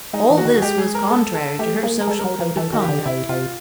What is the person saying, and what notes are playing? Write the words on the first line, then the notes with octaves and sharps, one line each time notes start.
All this was contrary to her social code of conduct.
G#3 D#4
E3
F#4
D#3
G#4
G#3 G4
G#4
A#4
G#4
A4
A4
A3 G4
G#4
A#3
A#4
G#3 A4
A#4
F#3
F3
E3 A4
D#3 F#4
G4
D3
C3 E4
C3 F4